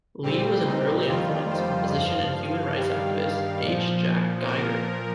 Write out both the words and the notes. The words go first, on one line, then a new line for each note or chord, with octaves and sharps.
Lee was an early influence on physician and human rights activist H. Jack Geiger.
A#2 G3 C4
D#4
F2 D#3 G3 F4
C5
G2 F3 F5
G2 D#3 G3
A#2 F3
A#2 F3 A#4